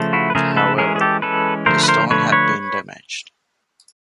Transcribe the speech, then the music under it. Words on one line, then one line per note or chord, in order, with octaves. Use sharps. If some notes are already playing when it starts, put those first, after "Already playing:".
However, the stone had been damaged.
Already playing: C#3 F3 A3
E4 F#4
B4
C#3 F3 A3 G#4 A#4
A4 B4
E3 G#3 C#4 G#4 A#4
G#4
G4 A4
E3 G#3 C#4 A4 B4
D3 F3 A3 A#4 C5
B4
A#4 C5
D3 F3 A3 B4 C#5
B4 C#5